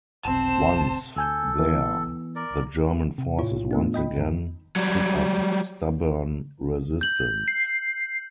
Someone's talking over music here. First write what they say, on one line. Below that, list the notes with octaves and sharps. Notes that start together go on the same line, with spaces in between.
Once there the German forces once again put up stubborn resistance.
F1 B1 C4 C5 A5
D2 A4 G#5 G6
E3 B3
A#4 D5
C3
A2 E4 F4 C#5
A3 B3 D4
D#5 G5 B5
G2 D#3
F#3 G3
G6 F#7
C7